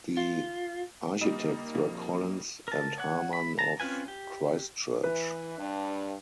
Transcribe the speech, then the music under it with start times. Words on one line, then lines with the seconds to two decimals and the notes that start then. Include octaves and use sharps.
The architects were Collins and Harman of Christchurch.
0.17 F4
1.21 G3 A#3 D#4
1.75 F2 A#2
2.68 A#4 A5
2.98 C#5 F#5
3.33 B5
3.59 A5 A#5
3.80 C4 C#4 F4 B4 G#5
4.08 G4
5.03 E3 B4
5.58 G2 D4